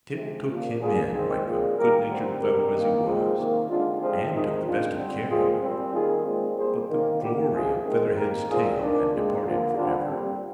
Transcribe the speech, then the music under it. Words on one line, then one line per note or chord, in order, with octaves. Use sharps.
Tip took him in, like a good-natured fellow as he was, and took the best of care of him; but the glory of Featherhead's tail had departed for ever.
C3 F3 G#3
A#2 F3 A#3
D3 G3 A#3 F4 G#4
D#3 G#3 C4
A#2 F3 G#3
D#3 G3 A#3 G4 A#4
D3 G3 C4
C3 G3 C4 G4 A#4
D#3 A#3
A#2 G#3 C4
C3 D#3 A#3
D3 G#3 C4 D4 F4
C3 F3 G#3 C4
C3 D#3 G#3 C4 D#4
A#2 G#3 C4 D4 F4
D3 G3 C4
A#2 G#3 C4 F4 G#4
A#2 G3 C4
D#3 G3 A#3 F4 G#4
A#2 G#3 C4
A#2 G3 A#3 G#4 C5
D#3 A#3
D3 F3 A#3 G4 A#4
C3 F3 G#3 F4 G#4
D#3 G#3 C4
D#3 A#3 G4 A#4
A#2 F3 G#3 C4 F4 G#4
D#3 A#3 D4
A#2 G#3 C4
D3 F3 A#3
D3 G3 C4 D4 F4
A#2 G3 C4